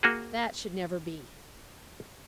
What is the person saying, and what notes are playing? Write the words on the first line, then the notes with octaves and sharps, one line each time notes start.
That should never be.
A#3 F#4 G#4